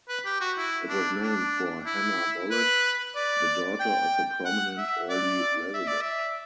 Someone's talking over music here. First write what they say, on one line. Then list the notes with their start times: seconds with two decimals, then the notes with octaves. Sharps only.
It was named for Hanna Bullett, the daughter of a prominent early resident.
0.09 B4
0.25 G4
0.41 F#4
0.57 E4
0.89 D4
1.22 D4
1.86 E4
2.51 B4
3.16 D5
3.80 G5
4.45 F#5
4.78 E5
5.10 D5
5.74 E5
5.88 D5
6.02 E5